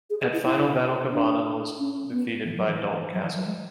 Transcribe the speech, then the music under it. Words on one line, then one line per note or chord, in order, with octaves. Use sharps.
At Final Battle Cabana was defeated by Dalton Castle.
G#4
G#4
E4
E4
D4
C#4
B3
E3
F#3
E3
F#3
E3
F#3
G#3